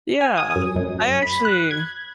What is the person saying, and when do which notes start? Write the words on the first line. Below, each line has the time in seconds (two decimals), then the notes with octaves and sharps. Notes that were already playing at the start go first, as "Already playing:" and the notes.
Yeah. I actually
0.21 G#5
0.37 D#6
0.56 F#2
0.76 F#2
1.22 B5
1.45 F#6
1.71 G#6